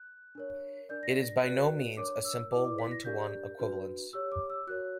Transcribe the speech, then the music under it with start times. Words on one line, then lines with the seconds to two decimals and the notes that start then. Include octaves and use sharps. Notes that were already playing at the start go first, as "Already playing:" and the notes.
It is by no means a simple, one-to-one equivalence.
Already playing: F#6
0.35 D4 A#4 C#5
0.89 D4 A#4 D5 G6
1.03 A#6
1.16 A#6
1.29 A#6
1.43 F#4 B4 D5 F#6
1.97 D4 A#4 C#5 D6
2.25 E6
2.51 E4 B4 D5 D6
2.65 D6
2.78 B6
2.91 A#6
3.05 D4 G4 A#4 D5 G6
3.59 D4 F#4 B4
4.13 G4 C#5 E6
4.32 D6
4.50 E6
4.67 F#4 A#4 C#5 F#6